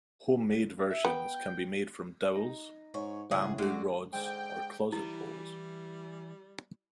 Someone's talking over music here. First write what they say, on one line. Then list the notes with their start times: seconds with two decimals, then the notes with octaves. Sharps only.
Homemade versions can be made from dowels, bamboo rods, or closet poles.
0.90 E5
1.05 B3 G5
2.35 D#4
2.94 G#2 C#5
3.31 C#2 A2 C#3 G#4 C#5 F#5
3.58 D3 G#3 F#4
4.13 G#2 D3 G5
4.93 E3 G3 E4